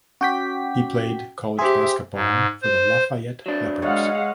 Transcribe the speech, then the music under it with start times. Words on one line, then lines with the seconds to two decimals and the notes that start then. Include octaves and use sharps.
He played college basketball for the Lafayette Leopards.
0.21 C#4 F#4 G5 D6 B6
1.59 G4 G#4 C5 E5 C6
2.14 G#2
2.63 C5
3.46 F#3 D4
3.82 G#3 C#5 D#5 F5 F#5